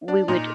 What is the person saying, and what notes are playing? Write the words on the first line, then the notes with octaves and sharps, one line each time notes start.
we would
D4
A#2 D#4